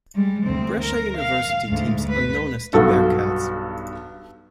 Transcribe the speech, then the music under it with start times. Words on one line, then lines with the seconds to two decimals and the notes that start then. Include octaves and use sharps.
Brescia University teams are known as the Bearcats.
0.15 G3 G#3
0.45 D2 C4
0.83 A#4
1.18 F5
1.67 D2 G#2
2.08 B4
2.73 B1 G2 F#4 A4 F5